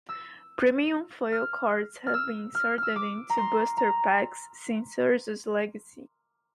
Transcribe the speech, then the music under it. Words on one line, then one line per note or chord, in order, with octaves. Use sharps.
Premium foil cards have been inserted into booster packs since "Urza's Legacy".
E6
F6
F6
E6
F6
E6 F6
D6
A#5
C6
A#5